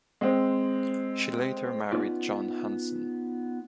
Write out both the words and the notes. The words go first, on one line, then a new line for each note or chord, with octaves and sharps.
She later married John Hansen.
G#3 C4
B3 C#4 D#4 F4 D5